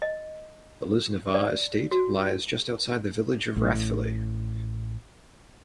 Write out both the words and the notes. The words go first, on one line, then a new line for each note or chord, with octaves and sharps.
The Lisnavagh Estate lies just outside the village of Rathvilly.
D#5
D5
F#4
A1 A2